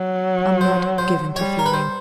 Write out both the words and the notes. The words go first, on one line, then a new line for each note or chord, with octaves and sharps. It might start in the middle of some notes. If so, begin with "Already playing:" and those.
I'm not given to feelings.
Already playing: F#3
C5
C5
G3 C#5
A#4
B4
C5